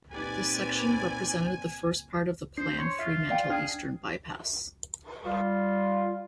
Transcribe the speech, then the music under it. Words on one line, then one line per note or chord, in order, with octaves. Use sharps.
This section represented the first part of the planned Fremantle Eastern Bypass.
A#2 C4 D#4 G4 B4 D5 G#5
D4 C5 C7
C#5 C6
F4 E5 B6
D5 F5 G5
D4 G#4 G5 F6
G3 F4